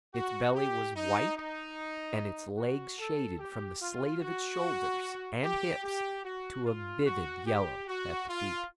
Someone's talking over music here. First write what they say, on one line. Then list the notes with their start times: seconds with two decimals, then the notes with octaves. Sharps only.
Its belly was white, and its legs shaded from the slate of its shoulders and hips to a vivid yellow at the feet.
0.14 F#4
0.55 G4
0.95 D#4
1.36 D#4
2.58 F#4
2.99 A4
3.39 G4
3.80 F4
4.21 F#4
5.43 G4
5.84 G4
6.25 F#4
6.65 F4
7.06 F#4
7.46 G4
7.88 F#4
8.28 F4